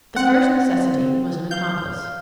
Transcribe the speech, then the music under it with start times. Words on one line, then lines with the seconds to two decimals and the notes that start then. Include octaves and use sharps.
The first necessity was an accomplice.
0.16 C4 F#5
1.51 F5 G6